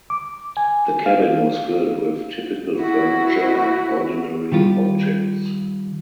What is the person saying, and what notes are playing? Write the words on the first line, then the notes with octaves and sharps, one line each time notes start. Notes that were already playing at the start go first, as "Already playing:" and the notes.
The cabin was filled with typical furniture and ordinary objects.
D6
G#5
F5
E4 F#4
D#3 G3 F4